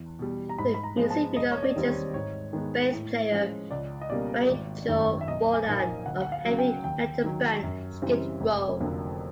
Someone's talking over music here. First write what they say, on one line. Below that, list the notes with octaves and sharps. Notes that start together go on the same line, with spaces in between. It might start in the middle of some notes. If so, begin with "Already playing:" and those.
The music video features bass player Rachel Bolan of Heavy Metal band Skid Row.
Already playing: E2
B2 G3
A#5
G#2 B5
B5
A#5
F3 G#3 B3
A5
E1 D#5
C#5
D5
D#2 D#3 G3 C4
C#5
G#2 C#5
D#3 G#3 B3
A2
F3 G#3 C#4
C#2 D5
D#5
B2 G3 A#3 C#4 D5
G#1
F#2 D#3
E5
B1 D#5
G#5
A#2 F3 A#3 D#4
G#5
D2 F#5
F#5
F5
C#3 F#3
G5
D#2 G5
D#3 F#3
F#2
C#3 E3 G3 C4
F1
F2 D3 F#3 A#3